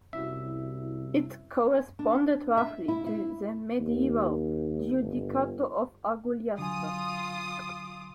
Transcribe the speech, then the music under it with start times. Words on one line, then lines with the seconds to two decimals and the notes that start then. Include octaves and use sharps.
It corresponded roughly to the medieval Giudicato of Agugliastra.
0.13 C2 C#4 E4 F#4 E5
1.99 D4
2.57 E5
2.88 E4
3.07 E4
3.80 D#2
5.00 G1
6.58 D3 F#3 F4 G#5 D#6